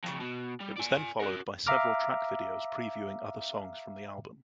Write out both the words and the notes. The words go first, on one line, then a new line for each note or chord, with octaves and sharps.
It was then followed by several track videos previewing other songs from the album.
F2 C#3
B2
G3
D5 G#5
F#4 A#4
E5 F5 A#5 D6 F6